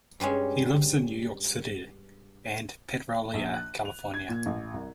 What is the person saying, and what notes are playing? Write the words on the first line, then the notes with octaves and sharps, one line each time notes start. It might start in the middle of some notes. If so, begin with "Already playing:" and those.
He lives in New York City and Petrolia, California.
G2 G3 G#3 C#4
A#1
F#6
F7
G#6
A#2
A1
C2